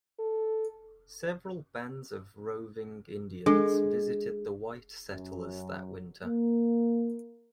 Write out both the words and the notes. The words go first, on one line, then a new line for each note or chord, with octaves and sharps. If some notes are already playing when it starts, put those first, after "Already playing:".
Several bands of roving Indians visited the white settlers that winter.
A4
G#3 D4 A4
F#2
A#3